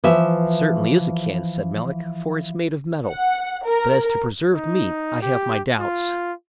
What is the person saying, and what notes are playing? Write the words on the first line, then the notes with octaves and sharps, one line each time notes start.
"It certainly is a can," said Melick, "for it's made of metal; but as to preserved meat, I have my doubts."
E3 F3 E5
F#5
A#4
D#4
G4
F4